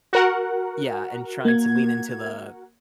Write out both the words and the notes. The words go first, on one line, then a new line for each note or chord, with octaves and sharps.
Yeah, and trying to lean into the
F#4 A#4 F#5
A#3 G#6